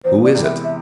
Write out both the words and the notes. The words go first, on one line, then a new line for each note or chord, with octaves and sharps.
"Who is it?"
E2 C5
D5
C3 E3 G#3 B3
E5
E5